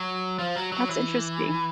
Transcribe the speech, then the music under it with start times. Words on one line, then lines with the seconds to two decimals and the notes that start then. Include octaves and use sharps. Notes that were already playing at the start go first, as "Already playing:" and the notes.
that's interesting.
Already playing: F#3
0.39 F3
0.56 F#3
0.72 F#3
0.89 E3